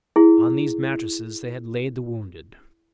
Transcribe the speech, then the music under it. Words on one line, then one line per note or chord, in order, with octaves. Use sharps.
On these mattresses they had laid the wounded.
E4 G#4